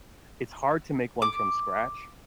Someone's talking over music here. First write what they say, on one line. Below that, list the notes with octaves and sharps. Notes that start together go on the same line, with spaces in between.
it's hard to make one from scratch.
D6